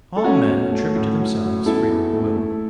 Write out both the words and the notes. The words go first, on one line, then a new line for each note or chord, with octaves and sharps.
All men attribute to themselves freedom of will.
A4
A3 C#4 F#4
E2
A3
A2
F#3
F#3
E2 E4 A4
E2
A3
A3